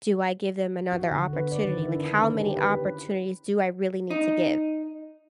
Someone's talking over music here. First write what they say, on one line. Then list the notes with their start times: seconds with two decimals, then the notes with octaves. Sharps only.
do I give them another opportunity? Like, how many opportunities do I really need to give,
0.92 F#4
1.11 D3
1.33 B4
1.52 D5
1.64 D#3
1.78 E4
1.95 D4
2.22 C#4
2.40 G4
2.56 B4
4.10 D#4